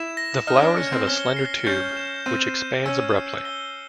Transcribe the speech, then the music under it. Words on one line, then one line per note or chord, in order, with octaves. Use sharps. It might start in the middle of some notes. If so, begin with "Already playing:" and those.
The flowers have a slender tube which expands abruptly.
Already playing: E4 E7
A#6
D#4 F6
C#4
D4
C#4 C#7
C4
C#4 G7
C7
C#4 G6
E7
C4 D#7
G6
C#4 E6
C7
G7